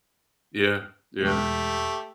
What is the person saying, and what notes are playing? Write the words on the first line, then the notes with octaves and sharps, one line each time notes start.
Yeah, yeah.
E2 B2 G#3 A3 G4